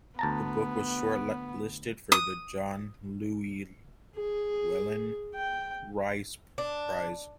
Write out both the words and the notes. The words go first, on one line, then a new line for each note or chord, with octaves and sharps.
The book was shortlisted for the John Llewellyn Rhys prize.
D2 B3 A5 A#5
D#6
G#4
G5
D4